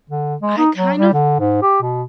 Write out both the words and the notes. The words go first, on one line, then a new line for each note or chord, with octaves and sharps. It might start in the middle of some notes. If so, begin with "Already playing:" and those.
I kind of
D3
G#3
D#4
F#3
G3
D3
G#2
G4
B2